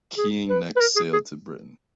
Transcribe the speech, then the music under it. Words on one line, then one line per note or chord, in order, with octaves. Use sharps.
"Keying" next sailed to Britain.
G#4
B4
B4
A#4
G#4
G#4